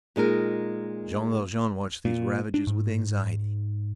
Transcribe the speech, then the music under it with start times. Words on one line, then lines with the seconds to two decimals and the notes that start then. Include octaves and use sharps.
Jean Valjean watched these ravages with anxiety.
0.16 A#2 G#3 D#4 A#4
2.05 A#2
2.54 D4
2.67 G#2